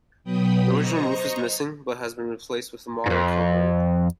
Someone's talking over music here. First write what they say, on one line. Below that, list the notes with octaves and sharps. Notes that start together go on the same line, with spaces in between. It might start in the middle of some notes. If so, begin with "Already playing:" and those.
The original roof is missing but has been replaced with a modern covering.
B2 F#3 B3 G5 B5 D#6
C5 D#5 A#5 C#6
F2 G#2